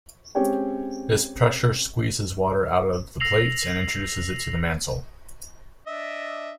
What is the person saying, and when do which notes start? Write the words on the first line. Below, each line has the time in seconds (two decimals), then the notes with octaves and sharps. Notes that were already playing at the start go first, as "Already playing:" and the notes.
This pressure squeezes water out of the plate and introduces it to the mantle.
0.35 G#3 C4 C#4 G4 C#5 G5
3.20 E6 A#6 C7 F7 F#7
5.87 D4 D#5 E5